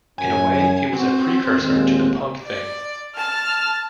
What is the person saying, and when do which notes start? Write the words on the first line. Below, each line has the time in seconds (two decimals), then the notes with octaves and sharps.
In a way it was a precursor to the punk thing.
0.19 F#2 G#5
0.94 C4 F#4
1.58 D#2 A#2 G#3
2.44 D5
3.16 A5 F6